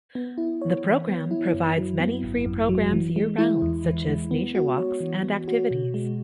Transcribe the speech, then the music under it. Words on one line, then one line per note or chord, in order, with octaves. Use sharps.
The program provides many free programs year-round, such as nature walks and activities.
B3
E4
C#5
E3
B3
E4
F#2
F#3
B3
G#1
F#2
F#3
E3
G#3
E4
E2
E3
G#3
B3
F#4
C#5
E3
B3
F#4
B2
G#3